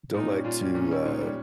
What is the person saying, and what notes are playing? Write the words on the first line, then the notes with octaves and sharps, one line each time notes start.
don't like to, uh,
A#2 D#4
G3 C#4
A#2 F4
G3 C#4
A#2 C#4
G3 C#4
A#2 D#4
G3 C#4